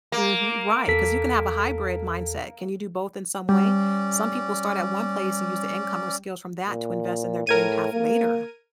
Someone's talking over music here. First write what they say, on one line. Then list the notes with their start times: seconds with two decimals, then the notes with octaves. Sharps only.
Mhm, right 'cause you can have a hybrid mindset, can you do both in some way? Some people start at one place and use the income or skills from that to invest in their dream path later.
0.12 A#3
0.88 E2 A4 B6
3.49 G3 C#4 D5
6.68 A#2
7.47 A2 A#4 G#6 D#7
7.93 A#3